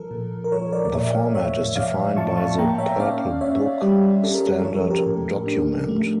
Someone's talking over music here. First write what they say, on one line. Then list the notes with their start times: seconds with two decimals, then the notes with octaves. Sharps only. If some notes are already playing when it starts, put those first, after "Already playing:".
The format is defined by the "Purple Book" standard document.
Already playing: F3 A4 A#4
0.11 A#2
0.44 A#4
0.52 F3 A4 C#5
0.72 A#4 D5
0.85 D5
0.93 A#2 C#5 E5
1.13 D5 F5
1.35 A2 C#5 E5
1.76 A2 D5 F5
2.17 F3 A5 C#6
2.37 A5 C#6
2.58 A#3 G5 A#5
2.78 C#5 E5
3.00 C#4 D5 F5
3.41 C#4 C#5 E5
3.82 G3 G4
4.23 C#4 A4
4.35 A#4
4.46 A4
4.64 F3 C#5
4.73 A#4
4.81 A4
4.90 G4 A#4
5.06 A2
5.46 D4
5.89 A3